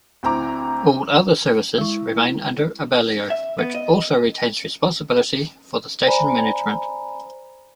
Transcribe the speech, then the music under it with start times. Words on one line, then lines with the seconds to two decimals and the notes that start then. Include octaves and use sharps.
All other services remain under Abellio, which also retains responsibility for the station management.
0.23 D2 C4 E4 A#5 D6
1.78 G#3 E4 C#6
3.30 E5
3.59 B3
3.75 D#5
6.05 C5 D5 G#5 A#5 B5